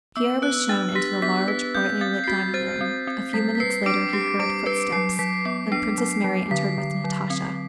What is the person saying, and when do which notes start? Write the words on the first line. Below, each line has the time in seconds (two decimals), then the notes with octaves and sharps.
Pierre was shown into the large, brightly lit dining room; a few minutes later he heard footsteps and Princess Mary entered with Natasha.
0.16 B3 E6
0.42 B4 F#6
0.69 D4 A6
0.95 G4 B6
1.22 B3 B6
1.48 B4 B6
1.75 C4 G6
2.01 C4 A6
2.24 C7
2.28 F#4 B6
2.54 C5 A6
2.81 C4
3.07 C4
3.33 G3 B6
3.55 B6
3.60 B4 C7
3.86 D4 D6 D7
4.13 G4 C7
4.39 G3 D6 D7
4.66 B4 C7
4.92 F#3 C7
5.19 F#3 B6
5.45 B3 C7
5.72 D4 C7
5.98 F#3
6.24 F#3
6.51 D3 B6
6.78 D3
7.04 F#3
7.30 C4